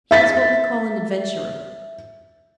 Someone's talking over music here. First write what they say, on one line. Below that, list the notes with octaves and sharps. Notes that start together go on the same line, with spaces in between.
He is what we call an adventurer.
E5 A6 B6